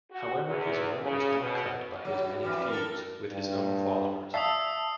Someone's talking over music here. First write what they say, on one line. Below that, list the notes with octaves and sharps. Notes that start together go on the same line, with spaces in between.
However his work was undercut by his many feuds with his own followers.
F#4
E2
C#3
B2
A2 F#3
F2 E3 G3
A4 A#4
G2
D5 E5 F5 A5 C#6 D#6 E6 C7